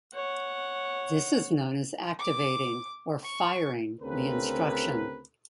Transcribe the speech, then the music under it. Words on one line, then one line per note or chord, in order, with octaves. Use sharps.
This is known as "activating" or "firing" the instruction.
C#5 F#5
D6
C#6
D2 C#3 C4 A#4 B4